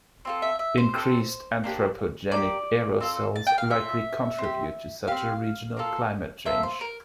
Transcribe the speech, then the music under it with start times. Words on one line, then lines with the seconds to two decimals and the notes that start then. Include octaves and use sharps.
Increased anthropogenic aerosols likely contributed to such a regional climate change.
0.25 C4 F4 A4
0.42 E5
0.59 E5
0.78 C5
0.94 C4 F4 A4
1.64 A#3 D4 G4
2.32 A#3 D4 G4 D5
3.01 C4 F4 A4
3.36 A5
3.47 G5
3.58 F5
3.70 C4 F4 A4 E5
4.38 C4 G4
5.07 C4 G4 F5
5.77 A#3 F4 A4
6.46 A#3 F4 A4 E5
6.63 C5
6.81 A#4